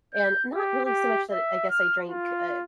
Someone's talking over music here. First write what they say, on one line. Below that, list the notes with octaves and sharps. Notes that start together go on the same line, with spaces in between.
and not really so much that I guess I drank, uh,
G6
G4
G4
E5
F6
F4